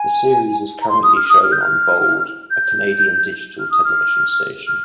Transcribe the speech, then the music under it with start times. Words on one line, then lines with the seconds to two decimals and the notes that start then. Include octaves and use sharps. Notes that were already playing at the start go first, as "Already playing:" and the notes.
The series is currently shown on bold, a Canadian digital television station.
Already playing: G#5
0.82 A#5
0.88 C6
1.03 D#6
1.16 F6
1.29 D#6
1.42 F6
1.52 G6
1.61 F6
2.51 G6
3.59 F6
3.71 D#6
3.84 F6
4.67 F6